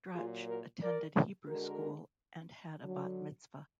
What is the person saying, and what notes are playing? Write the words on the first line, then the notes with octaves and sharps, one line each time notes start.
Dratch attended Hebrew school and had a Bat Mitzvah.
A#2 F#3 F4 G#4
F#4 A#4
A#4 D5
D3 G#3 F#4 A#4
D3 F#3